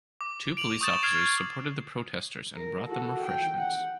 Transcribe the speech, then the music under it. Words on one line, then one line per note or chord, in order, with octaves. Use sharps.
Two police officers supported the protesters and brought them refreshments.
D6
D7 F7 F#7
C#6 D#6 G6 A6 E7
F6 G6 G#6 C7 D7 F7
A#4
F#4 A4
G5
F#5